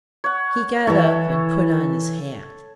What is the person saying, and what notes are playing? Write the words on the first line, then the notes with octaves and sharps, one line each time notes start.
He got up and put on his hat.
C#5 F#5
E3 E4 A4 C#5